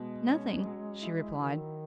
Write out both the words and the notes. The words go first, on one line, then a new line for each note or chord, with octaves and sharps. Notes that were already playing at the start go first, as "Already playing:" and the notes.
"Nothing," she replied.
Already playing: B2 G#3
C#4
F#3
E4
D#3 F#3